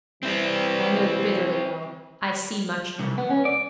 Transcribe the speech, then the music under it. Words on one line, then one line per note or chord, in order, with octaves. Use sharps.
I know bitterly well; I see much now.
E3 G3 C4 E4
C2
B3
C#4
D5